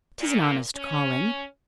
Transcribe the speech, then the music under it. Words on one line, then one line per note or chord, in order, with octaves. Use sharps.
'Tis an honest calling.
A#2
C#4